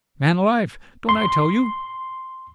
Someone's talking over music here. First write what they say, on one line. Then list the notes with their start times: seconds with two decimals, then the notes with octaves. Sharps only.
'Man alive, don't I tell you?
1.09 C6